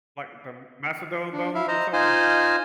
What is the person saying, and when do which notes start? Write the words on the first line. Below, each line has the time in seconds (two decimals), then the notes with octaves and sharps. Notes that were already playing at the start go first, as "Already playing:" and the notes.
Like, the mastodon bone or something?
1.32 D4
1.55 E4 E5 F5
1.68 C5 D#5 A#5
1.93 D#4 F4 C5 D#5 F5 G#5